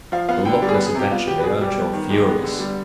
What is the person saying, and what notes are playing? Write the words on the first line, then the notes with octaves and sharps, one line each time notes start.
The luckless adventure made Earnshaw furious.
F3 F5
B3 F5
D3 G5
G3
G#4
B4
B3
G#4
C3 G4
B3 F4
B2 G4
B4
B2 G#4
G3 G4
B3
D#3
G#3 G4
B3
D3
G3